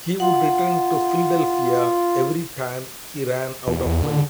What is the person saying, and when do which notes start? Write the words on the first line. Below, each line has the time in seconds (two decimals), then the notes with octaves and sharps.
He would return to Philadelphia every time he ran out of money.
0.20 F4 F#5
3.68 E2
3.86 E2
4.03 D3